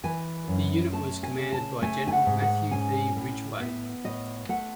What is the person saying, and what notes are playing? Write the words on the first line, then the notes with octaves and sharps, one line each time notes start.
The unit was commanded by General Matthew B. Ridgway.
E3 G#5
F#2
A3 A5
G#5
C#3
A5
A3 G#5
G#5
F#5
G#2
F#5
C#4 G#5
A2
B3 E5
A2 D#5
A3 F#5